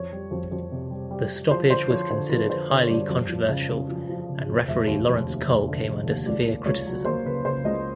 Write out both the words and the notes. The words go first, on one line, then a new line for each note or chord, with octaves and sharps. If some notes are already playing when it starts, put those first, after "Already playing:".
The stoppage was considered highly controversial and referee Laurence Cole came under severe criticism.
Already playing: F2 C#5
G3
F2
F2
C3
G3
G3
G3
F3 C5
D3 C5
F3 C#5
D3 C5
F3 B4
D3 C5
D3 C#5
C#5
G2 D5
F2
F3
C#3
C#3
F3
F3
C#3
F2
F1 E5
D#2
F1
D#2
F1
D3
F1
D#2
C#2 D5
A#3
C#2 C#5
F#3
A#3 C5
C#3 B4
C#3 C5
C#2 D#5